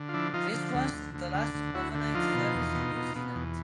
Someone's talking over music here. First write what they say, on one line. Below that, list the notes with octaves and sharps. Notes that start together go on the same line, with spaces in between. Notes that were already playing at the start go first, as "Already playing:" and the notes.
This was the last overnight service in New Zealand.
Already playing: D3
F4
F3 D4 E4
F3 D#4 F4
D3
D2
D2
D2
D3
D2
D2 E4 F#4
D3
F3 D#4 F4
B2
E2
B2
B2
B2
E2